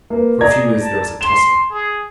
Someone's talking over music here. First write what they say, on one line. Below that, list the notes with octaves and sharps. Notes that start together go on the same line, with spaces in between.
For a few minutes there was a tussle.
A#3 B4
G#4 D5 A#5 G#6
A5
C6 E7 G7
G#4